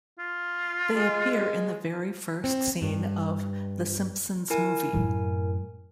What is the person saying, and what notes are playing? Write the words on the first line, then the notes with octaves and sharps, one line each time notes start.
They appear in the very first scene of "The Simpsons Movie".
F4
G#3
C4
G2
E4 A#4 G#5
F#2 A2